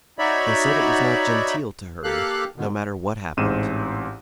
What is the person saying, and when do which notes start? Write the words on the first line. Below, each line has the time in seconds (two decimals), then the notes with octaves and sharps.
They said it was not genteel to hurry, no matter what happened.
0.19 D#4 F#4 C#5 D5 E5 B5
2.04 A#3 G4 A4 F5 F#6
2.56 B2 D3 D#3
3.37 A1 G#2 C4 D#7 E7